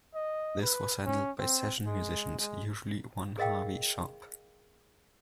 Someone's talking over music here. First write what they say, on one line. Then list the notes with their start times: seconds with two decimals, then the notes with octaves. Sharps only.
This was handled by session musicians, usually one Harvey Sharpe.
0.15 D#5
0.62 B4
1.06 C#4
1.40 C4
1.86 G#3
2.39 G#3
3.38 G#4 A#4 D#5 F5 G5